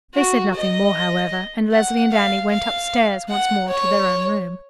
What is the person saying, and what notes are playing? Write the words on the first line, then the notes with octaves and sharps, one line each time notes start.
They said nothing more, however; and Leslie and Annie went upstairs once more to their own room.
F#4
D#5
F#5
F5
F5
F#5
C#5